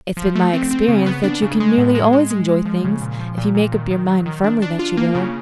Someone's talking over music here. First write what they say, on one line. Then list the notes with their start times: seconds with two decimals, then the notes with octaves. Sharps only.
It's been my experience that you can nearly always enjoy things if you make up your mind firmly that you will.
0.17 F3
0.35 A3
0.53 C4
0.71 C4
0.88 C#3
1.06 B3
1.24 D4
1.42 C#3
1.60 G#3
1.78 A2
1.95 G#3
2.13 G#3
2.30 G#3
2.48 G#3
2.65 F3
2.84 C#3
3.01 A#2
3.19 F3
3.37 A#2
3.55 A#2
3.72 D#3
3.91 D#3
4.08 F#3
4.26 D#3
4.44 D4
4.62 D4
4.79 F4
4.97 A#3
5.15 C#3